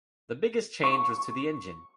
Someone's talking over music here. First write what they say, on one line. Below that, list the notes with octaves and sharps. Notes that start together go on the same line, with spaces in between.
The biggest change was to the engine.
C#6